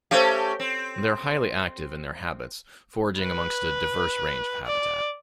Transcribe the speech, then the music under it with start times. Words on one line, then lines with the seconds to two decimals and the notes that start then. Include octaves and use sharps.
They are highly active in their habits, foraging amongst a diverse range of habitat.
0.11 A3 C#4 G4 C5 F5
0.60 C4
3.21 B4
4.66 D5